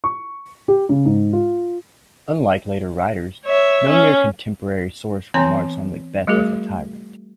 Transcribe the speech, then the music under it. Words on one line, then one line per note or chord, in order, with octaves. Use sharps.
Unlike later writers, no near contemporary source remarks on Macbeth as a tyrant.
C#6
G4
C#3
G#2
F4
C#5 E5
C#4
E3 B3 C4 C#5 A#5 C6
G3 A3 F#4 G#4 A#4